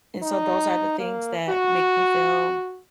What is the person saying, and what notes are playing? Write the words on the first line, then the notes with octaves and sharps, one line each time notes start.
And, so, those are the things that make me feel,
D#4
A#3
F#4